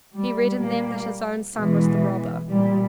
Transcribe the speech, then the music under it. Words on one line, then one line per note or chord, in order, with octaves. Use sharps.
He read in them that his own son was the robber.
G3
A#2 G3 A#3
B2 E3 G#3
A#2 G3